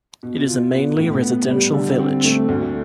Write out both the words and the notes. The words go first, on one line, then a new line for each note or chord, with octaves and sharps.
It is a mainly residential village.
B2
F4
B3
A2
B3
G3
D3
C4
A3
D2